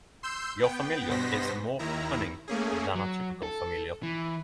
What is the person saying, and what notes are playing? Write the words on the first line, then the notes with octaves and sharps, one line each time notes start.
Your familiar is more cunning than a typical familiar.
C6 E6 G6
B3 G5
G2 B2 B3 C5 A#6 B6
D#2 D#3 E4 A#5
A3 A#3 C#4 G#4
F#3
A4
E3